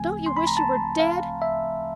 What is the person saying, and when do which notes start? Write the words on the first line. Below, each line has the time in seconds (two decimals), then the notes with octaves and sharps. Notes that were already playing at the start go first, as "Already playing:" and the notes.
Don't you wish you were dead?
Already playing: D2 C#3 F3 A3 C4 G#5
0.26 C6
0.37 B5
0.47 A#5
0.57 A5
1.00 F5
1.42 E5